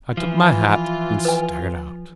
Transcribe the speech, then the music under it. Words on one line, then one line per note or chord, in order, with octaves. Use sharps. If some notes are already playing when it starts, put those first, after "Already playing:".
I took my hat and staggered out.
E3 F3 F4
B4 G#5